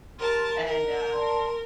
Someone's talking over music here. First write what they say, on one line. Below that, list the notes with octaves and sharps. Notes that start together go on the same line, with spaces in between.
And, uh
G4 A#4 A5 C6 F6
A#4 D#5 F#5
D5 A5 C6